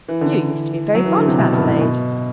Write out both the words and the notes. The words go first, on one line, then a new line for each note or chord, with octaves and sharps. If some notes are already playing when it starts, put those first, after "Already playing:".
"You used to be very fond of Adelaide."
E3
D3
E3
F#3
E3
D3
C3
B2
G2
A2
B2